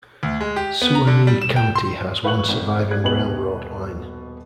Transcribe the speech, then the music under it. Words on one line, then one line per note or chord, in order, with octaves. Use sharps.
Suwannee County has one surviving railroad line.
D2
G#3
G4
B3
A#5
D3
G3
E7
G5
C6
E4 B4 F5 C#6 F#6 F#7
G#1
G2 F#6 G#6
D#1 B2 D#4 B4 D#5 F#7